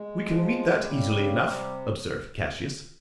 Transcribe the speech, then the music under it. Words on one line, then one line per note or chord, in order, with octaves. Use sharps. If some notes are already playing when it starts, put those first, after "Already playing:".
"We can meet that easily enough," observed Cassius.
Already playing: G#3
F3
C#3 G3
C#3
C3